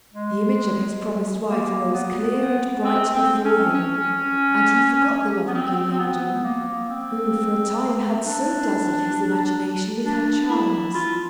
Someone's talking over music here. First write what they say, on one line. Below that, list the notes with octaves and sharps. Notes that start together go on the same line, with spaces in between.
The image of his promised wife arose clear and bright before him, and he forgot the lovely Guilliadun, who, for a time, had so dazzled his imagination with her charms.
G#3
A#3
B3
C4
C4
C#4
C#4
B3
C4
C4
B3
A#3
C4
D4
D4
E4
F4